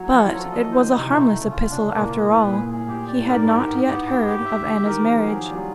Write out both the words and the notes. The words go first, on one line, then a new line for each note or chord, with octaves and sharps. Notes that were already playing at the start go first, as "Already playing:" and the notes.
But it was a harmless epistle after all; he had not yet heard of Anna's marriage.
Already playing: F#3 C#5
F3 F4
E3
F#3 A4
F3
F#3 D#5
E3 C5
D3
C3 D#4
C3
B2 A3
A3
C#3
F4
C#3 D4
A#2 A#3
A2
F4
A2 B4
A#2
G#4
A#2
A2 G#4
A2 G4
D5
A2
G#2 A#4
G2
G4
G#2
B3
B3
G4
G4
E5
D3 G4
D#3 A#4
F3 G4
F3
F#3 G#4
F4
G3
F#3